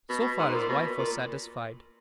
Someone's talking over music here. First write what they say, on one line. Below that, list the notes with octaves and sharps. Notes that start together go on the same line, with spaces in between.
So far his wife was satisfied.
B2
B2
G#2
A#2
B2
A#2